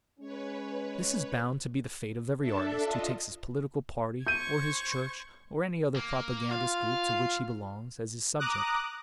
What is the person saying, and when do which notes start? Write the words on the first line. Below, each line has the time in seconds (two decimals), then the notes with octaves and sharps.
This is bound to be the fate of every artist who takes his political party or his church, or any other propagandist group to which he belongs, as his subject.
0.20 G#3 C#4 B4 C#5
2.40 D4 A4 E5 A5
2.83 F4 D#5
4.27 C5 C#6 G6 G#6 D#7
5.96 A#3
6.51 F4 F5
8.39 A#5 D6 D#6 F#6